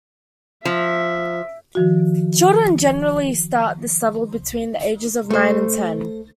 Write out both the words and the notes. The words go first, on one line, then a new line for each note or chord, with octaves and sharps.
Children generally start this level between the ages of nine and ten.
F3 E5
D#3 F3 F#4
A3 C5